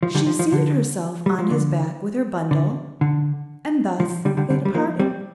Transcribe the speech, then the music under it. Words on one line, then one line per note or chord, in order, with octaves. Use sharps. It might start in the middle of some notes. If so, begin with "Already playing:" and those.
She seated herself on his back with her bundle, and thus they departed.
F3
D3 G3
F3
F3
D3
G3
F3
D3
D3
D3
F3
D3 G3
D3 G3
D3 G3
G3
F3 A#3
G3 C4